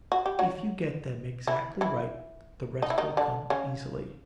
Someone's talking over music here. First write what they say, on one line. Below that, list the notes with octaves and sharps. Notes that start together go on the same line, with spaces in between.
If you get them exactly right the rest will come easily.
F#4
G4
F#3 F#4
E3 E4
E3 E4
D#4
E4
D#3 D#4
D3 D4
C#3 C#4